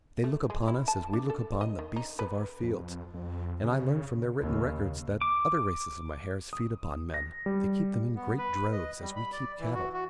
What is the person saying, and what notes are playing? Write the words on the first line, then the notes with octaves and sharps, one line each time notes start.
They look upon us as we look upon the beasts of our fields, and I learn from their written records that other races of Mahars feed upon men--they keep them in great droves, as we keep cattle.
A3
G#3
E4
A5
D4
A4
D#5
D#3
D#4
B4
F2
F2
C#3
D#2 C#3
D6
D#6
A#6
G3
B3
B4
D#5
G3
B5
D5
E3
F#4
F#4